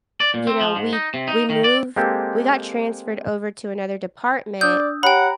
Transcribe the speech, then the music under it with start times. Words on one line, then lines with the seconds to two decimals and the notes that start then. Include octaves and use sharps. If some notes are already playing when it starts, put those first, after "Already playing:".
you know, we we moved we got transferred over to another department,
0.20 D5
0.34 A#2
0.47 C4
0.61 F3
0.76 G#2
0.93 D#4
1.14 C3
1.28 D#4
1.50 D#3
1.64 D5
1.96 G#3 A#3 C4 G4 A4
4.61 D4 D5 D#6 E6 G6
5.03 G4 C#5 F#5 G5 A#5 B5